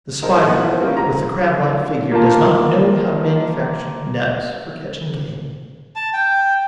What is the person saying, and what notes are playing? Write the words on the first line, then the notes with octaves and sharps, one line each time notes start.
The Spider with the Crab-like figure does not know how to manufacture nets for catching game.
G#3 D#4 A4 A#4 C5
A#3 D#4
E3 B3 F#5
E4 F4 C5
G3 A#3 C4 C#4 F4
G#2 A#5
A#3 F4 A5
A5
G5